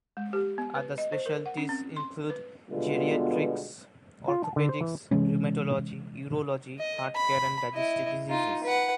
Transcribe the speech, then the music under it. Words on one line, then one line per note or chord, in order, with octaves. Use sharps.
Other specialties include geriatrics, orthopedics, rheumatology, urology, heart care and digestive diseases.
G#3
G4
B3
B4
D#5
C5
A#4
F#5
C#4
C4
C6
B4
B2 D3 G3 G#3 B3 F4
F4
A5
D3
C5
E3
C3 E3 G#3 C#4
D#5
B5
E4 D#5
D#4 F4
B4 F#5